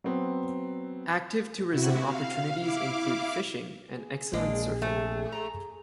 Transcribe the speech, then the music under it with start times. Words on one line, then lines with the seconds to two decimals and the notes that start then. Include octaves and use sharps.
Active tourism opportunities include fishing and excellent surfing.
0.04 F#3 B3 C4
1.69 C3 E4 F#4
2.03 F5
2.58 E4 F5 D6
3.93 G#4
4.33 A#1 G#3 A#3 D4
4.82 C3 A3
5.32 A#5